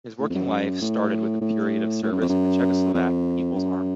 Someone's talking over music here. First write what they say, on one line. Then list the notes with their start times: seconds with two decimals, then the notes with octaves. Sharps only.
His working life started with a period of service in the Czechoslovak People's Army.
0.20 A2
0.30 F2
0.35 F#2
0.81 A2
1.41 A2
2.03 A2
2.12 F#2
2.21 F2
2.29 F#2
2.94 F2
3.55 F#2